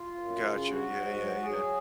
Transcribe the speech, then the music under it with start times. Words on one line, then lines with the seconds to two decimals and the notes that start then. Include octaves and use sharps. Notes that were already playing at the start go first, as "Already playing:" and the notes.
Gotcha, yeah, yeah, yeah.
Already playing: F4
0.16 F#2
0.42 C#3
0.66 F#3 F#4
0.92 G#2
1.17 F#3
1.42 F#3 G#4